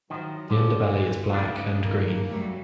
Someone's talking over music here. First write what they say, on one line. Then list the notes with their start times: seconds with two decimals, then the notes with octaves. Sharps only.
The underbelly is black and green.
0.10 D#3 F3 F#3 E4 F#4 C5
0.50 D3 F3 G#3
0.83 E3 A3
1.32 G#2 C#3 B3 D4
1.84 D#2 A2 D#3 A#3
2.29 F#3 G3 A3 G4 C#5